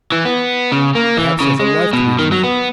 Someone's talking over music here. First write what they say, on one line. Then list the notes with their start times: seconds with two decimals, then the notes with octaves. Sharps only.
Perhaps he has a life to be renewed.
0.12 E3
0.25 B3
0.72 C#3
0.95 A#3
1.17 E3
1.40 C#3
1.60 G#3
1.93 B2
2.19 D#3
2.32 F#3
2.44 B3